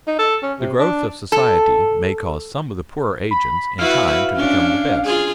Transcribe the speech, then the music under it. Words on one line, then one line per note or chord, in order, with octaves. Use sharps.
The growth of society may cause some of the poorer agents in time to become the best.
D#4
A4
C#4
C3
D4
A4
B5
E4 F#4 B4 F5
C#4 D4
F4 G#4